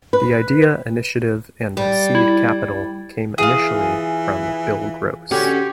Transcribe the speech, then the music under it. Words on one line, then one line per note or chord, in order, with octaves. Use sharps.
The idea, initiative, and seed capital came initially from Bill Gross.
B4
G3
E4
E3 F4 G#4
D3 C#4 F#4 G4